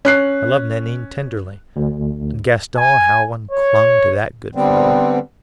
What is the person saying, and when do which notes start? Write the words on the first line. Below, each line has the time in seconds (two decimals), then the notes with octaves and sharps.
I loved Nanine tenderly; and Gaston, how one clung to that good fellow!
0.05 C#4 F#6 C7
1.76 D2
2.77 G#5
3.51 C#5
4.55 D3 G3 B3 C4